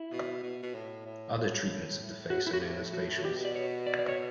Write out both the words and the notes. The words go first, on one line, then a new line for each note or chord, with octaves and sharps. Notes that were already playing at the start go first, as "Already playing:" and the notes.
Other treatments of the face are known as facials.
Already playing: E4
B2
B2
B2
A2
A2
F#4
E4
F#4
G4
F#4
F#4
B2 G4
D5
C#5
D5
D5
C#5